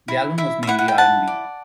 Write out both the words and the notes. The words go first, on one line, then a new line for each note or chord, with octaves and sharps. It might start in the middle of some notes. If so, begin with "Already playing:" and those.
The album was mainly R and B.
E4
E4 E5
E5
E4 F#5
F#5
G5
E4 F#5 A5
D5